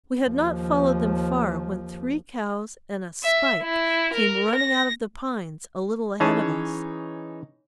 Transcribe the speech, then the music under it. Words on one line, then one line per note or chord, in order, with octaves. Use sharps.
We had not followed them far when three cows and a "spike" came running out of the pines a little ahead of us.
D#2 F3
E5
E4
A#4
A#6
E3 C#4 D#4 G#4 C#5 A5